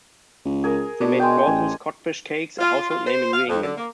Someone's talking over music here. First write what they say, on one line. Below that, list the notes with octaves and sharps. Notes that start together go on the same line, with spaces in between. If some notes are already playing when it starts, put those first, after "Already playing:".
They made Gorton's codfish cakes a household name in New England.
C#2
G#4 A#4
B2 D4
G#3 G5
A1 G#5
F4
F4
C5
F5
F2
D3
A#3